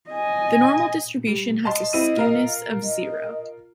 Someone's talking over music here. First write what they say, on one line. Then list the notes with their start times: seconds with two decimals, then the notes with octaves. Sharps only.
The normal distribution has a skewness of zero.
0.11 D#5 G#5
1.27 G3
1.65 D#5 A5 C6
1.93 C4 E4 D#7
2.17 F4 A#4 F5
2.84 D#5